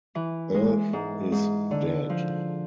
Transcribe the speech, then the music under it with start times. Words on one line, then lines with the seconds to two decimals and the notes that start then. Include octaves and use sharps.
Earth is dead.
0.15 E3
0.54 G#3
0.93 G#2
1.32 G#2
1.71 D3
2.10 F3